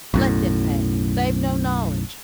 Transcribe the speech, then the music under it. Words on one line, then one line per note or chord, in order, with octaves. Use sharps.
Let them pay--they've no knowledge.'
B1 F#2 A2